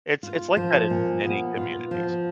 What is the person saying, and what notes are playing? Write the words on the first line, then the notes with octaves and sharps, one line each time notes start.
it's it's like that in many communities.
F4
F3
A#2
B3
F4
F3